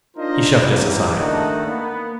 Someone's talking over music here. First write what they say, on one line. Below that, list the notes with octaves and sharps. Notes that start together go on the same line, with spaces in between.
He shoved us aside.
D4 D#4 F4 A#4 C5 D#5
E2 G#2 C#3 G3 A#3
D#3 A3 D4 D#4 F#4 A4
A#3 B3